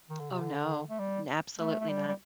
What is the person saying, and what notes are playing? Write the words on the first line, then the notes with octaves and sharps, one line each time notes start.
Oh, no, n absolutely not.
D#3
D3
C3
D3
A3
G3
A3
A3
G3
G3